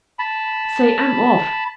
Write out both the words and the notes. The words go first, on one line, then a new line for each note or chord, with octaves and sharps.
Say, I'm off!
A5 B5